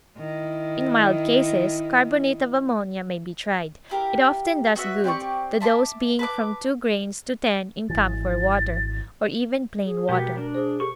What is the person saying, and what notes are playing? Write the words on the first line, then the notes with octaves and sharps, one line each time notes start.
In mild cases carbonate of ammonia may be tried; it often does good, the dose being from two grains to ten in camphor water, or even plain water.
D#3 E4
E4 G4 A#4
B3 F#4 E5
C4 G4 D5 C#6
E5 A5 B5 D6
B4 A5 D6
G#1 E3 A6
G#4
B2 G#3 B3 F#4 G4 A#4
D4
G#4 C5
G4 A4 C#6